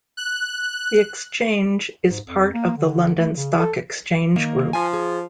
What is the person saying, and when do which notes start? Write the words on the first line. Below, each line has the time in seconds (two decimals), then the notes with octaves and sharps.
The Exchange is part of the London Stock Exchange Group.
0.17 F#6
2.10 G#2
2.26 F2
2.54 A#3
2.78 D3
3.19 A3
3.35 C#3
3.58 A4
4.36 D#3 A#3
4.73 F3 G#5
4.93 G#4